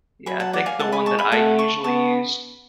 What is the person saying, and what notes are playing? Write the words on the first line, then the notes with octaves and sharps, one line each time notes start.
Yeah. I think the one that I usually used,
F#3 G#5 B5
F#5 A5
D5 F#5
F5 G#5
G#3 F#5 A5
G#5 B5
A5 C#6
G#5 B5
A3 F#5 A5
A5 C#6
B3 A5 C#6